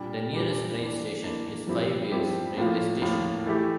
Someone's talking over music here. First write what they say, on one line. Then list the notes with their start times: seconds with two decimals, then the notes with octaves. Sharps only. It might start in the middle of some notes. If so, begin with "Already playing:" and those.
The nearest train station is Five Ways railway station.
Already playing: A#2 G3 D4 G4
0.33 A#2 G3 D4 G4
0.78 E3 A#3 D4
1.22 E3 A#3 D4
1.67 G2 F3 C4 E4 G4
2.12 G2 F3 C4 E4 G4
2.57 A2 F3 A#3 F4
3.02 A2 F3 A#3 F4
3.46 E3 A3 E4 G4